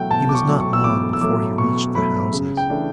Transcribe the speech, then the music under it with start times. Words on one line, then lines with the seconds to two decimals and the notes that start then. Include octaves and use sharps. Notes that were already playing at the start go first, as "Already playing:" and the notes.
He was not long before he reached the houses.
Already playing: B2 F#3 A3 F#5 G5
0.11 B2 A5
0.29 D6
0.35 C#6
0.48 F#3 A3
0.60 C#6
0.73 E6
0.84 B2 D6
1.13 E6
1.21 F#3 A3 D6
1.58 B2 C#6
1.95 F#3 A3 B5
2.33 C#3
2.57 G5
2.70 E3 A3 D4